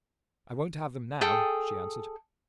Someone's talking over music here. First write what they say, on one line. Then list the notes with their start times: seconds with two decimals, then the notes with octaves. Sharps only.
'I won't have them now,' she answered.
1.21 G#4 A4 G5 D#6